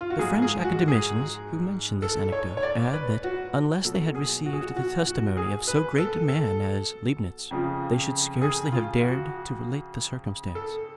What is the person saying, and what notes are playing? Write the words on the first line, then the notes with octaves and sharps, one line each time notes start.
The French Academicians who mention this anecdote, add, that unless they had received the testimony of so great a man as Leibnitz, they should scarcely have dared to relate the circumstance.
F4
F#4
G#2 F3 G#3 G#4
G#4
F#4
G#4
A4
C#5
C#5
D5
B4
F#4
B2 F#3 A4
G#4
F#4
G#4
F#4
F#4
F#4
G#4
B4
A4
A4
F2 C#3 F3
G#4
F4
F#4
A4